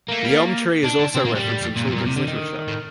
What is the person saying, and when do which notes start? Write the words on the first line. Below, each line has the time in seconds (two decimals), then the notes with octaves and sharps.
The Elm Tree is also referenced in children's literature.
0.08 A3 A#3
0.23 G3
0.84 D#3 D4
0.99 D3
1.15 C3 C4
1.25 A#2 A#3
1.35 A#2 G3
1.46 A2
1.61 F2
1.76 G2 A#2
1.87 F2
1.92 G2 A#2
2.06 C3
2.16 D3
2.28 D#3
2.68 A2